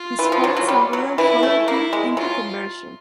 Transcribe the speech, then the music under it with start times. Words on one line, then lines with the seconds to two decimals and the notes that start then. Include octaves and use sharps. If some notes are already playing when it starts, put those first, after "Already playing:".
His parents and brother followed him into conversion.
Already playing: F4
0.19 E3
0.32 F3
0.44 F#3
0.57 F#3
0.68 G3
0.93 F#3
1.18 E3 E4
1.43 A3
1.67 A#3 E4
1.93 G#3
2.17 F#3 F4